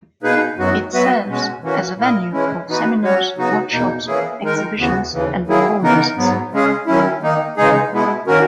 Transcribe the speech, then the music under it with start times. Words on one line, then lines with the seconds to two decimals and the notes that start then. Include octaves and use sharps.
It serves as a venue for seminars, workshops, exhibitions and performances.
0.23 B2 A#3 D#4 G#4 B4
0.58 F#2 D#3 F#3 B3 F#4
0.92 F#3 B3 F#4 B4 E5
1.28 B2 G#3 C#4 F#4
1.62 E3 A#3 C#4 F#4
1.97 A#2 A#3 E4 A#4 D#5
2.32 E3 G#3 C#4 E4
2.68 E3 B3 D#4 F#4 B4
3.03 F#3 C#4 F#4 C#5
3.37 C#3 F#3 B3 D#4 F#4
3.72 E2 B2 A#3 D#4
4.07 E3 A#3 C#4 E4 G#4
4.42 D#3 G#3 D#4 A#4
4.77 D#2 C#3 E3 B3 F#4
5.12 D#2 C#3 E3
5.47 D#3 F#3 A#3 E4 G#4
5.82 C#3 E3 B3 D#4 A#4
6.17 G#2 F#3 B3
6.52 C#3 G#3 C#4 G#4
6.87 D#3 F#3 C#4 E4
7.21 D#3 A#3 D#4
7.57 C#3 E3 G#3 D#4 G#4
7.92 B2 G#3 B3 E4
8.27 D#3 A#3 C#4 F#4 A#4